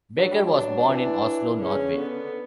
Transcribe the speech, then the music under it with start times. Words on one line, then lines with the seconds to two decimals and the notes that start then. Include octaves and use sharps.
Backer was born in Oslo, Norway.
0.18 F#3 D4
0.31 G3
0.45 F#3
0.53 D4
0.89 E3
1.61 C#3 C#4
1.97 D3 B3